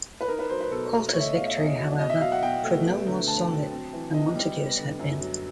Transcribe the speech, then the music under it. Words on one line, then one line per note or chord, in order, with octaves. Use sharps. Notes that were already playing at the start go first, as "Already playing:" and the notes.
Colter's victory, however, proved no more solid than Montague's had been.
B4
D#4 A#4
B4
F#3 C5
B4
B2 A4
B3
A3 C#5
E5
D#5
B2 F5
E5
E2 D#5
F#3
B2 D#5
E5
F#3 F5
F#5
B2 G5
A3
B3
D3
D2 A5
F#3
C4
E3
A2 D#5
G3
B3
D3
F#2
F#3